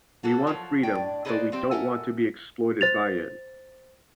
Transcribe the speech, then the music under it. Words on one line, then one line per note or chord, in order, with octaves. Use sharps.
We want freedom, but we don't want to be exploited by it.
F#3 A#3 F#4 A4
F3 F#3
A2 D4 G5
D#4 G#4 A4 B4 C5 D5
F3 C4 G4
A4 A#4 E5 F#5 G#5
C5 A6 F7